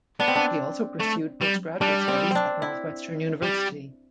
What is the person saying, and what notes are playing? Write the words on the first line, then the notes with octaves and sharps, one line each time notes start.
He also pursued postgraduate studies at Northwestern University.
B3 D4
C4
D4
A3
G3
G3 D4
C4
C4 D4
E4
G3